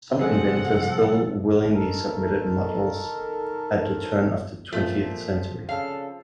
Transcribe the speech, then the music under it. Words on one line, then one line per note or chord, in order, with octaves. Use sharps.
Some inventors still willingly submitted models at the turn of the twentieth century.
C3 F3 G3 A3 C4 G#4 A4 F#5
D#3 A4 A#4
A#2 F3 A3 C4 F4
C#3 D4 A4 F5